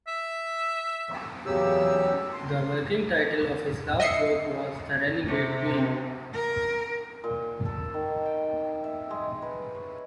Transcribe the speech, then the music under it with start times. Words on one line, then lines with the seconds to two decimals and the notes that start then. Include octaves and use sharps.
The working title of his last work was "The Renegade Queen".
0.08 E5
1.46 E2 C#3 F#3 G4 E6
2.33 C6
4.00 D#5 E5 C7 C#7
5.26 C3
6.34 A#4
7.24 A#2
7.65 A4
7.94 D#3
8.26 G5
8.84 E5
9.11 G#3
9.42 B4
9.75 C#5